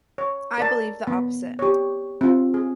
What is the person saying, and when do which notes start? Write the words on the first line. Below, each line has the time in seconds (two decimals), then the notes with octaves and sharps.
I believe the opposite.
0.18 C#5
0.58 A#4 D5 A5
1.07 B3
1.59 G4 C#5
2.21 C4 F4
2.54 G#4